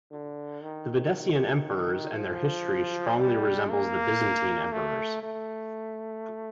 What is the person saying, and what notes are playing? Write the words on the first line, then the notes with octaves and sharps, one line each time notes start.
The Videssian emperors and their history strongly resemble the Byzantine emperors.
D3
D#3
F3
G3
A#3
A3
A3